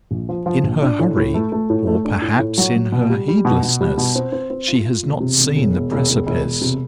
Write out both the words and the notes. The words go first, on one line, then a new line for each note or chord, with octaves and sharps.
In her hurry, or perhaps in her heedlessness, she has not seen the precipice.
A#1
F3
F3
A#1
D4
A2
A2
A3
A3
A2
A3
D4
A2
A2
F#3
F#3
B2
G3
G3
B2
B2
G3
B2
C4
C4
C4
F4
F4
E1
C3
E1
E1
E1
E1
E1
E1
E1
C3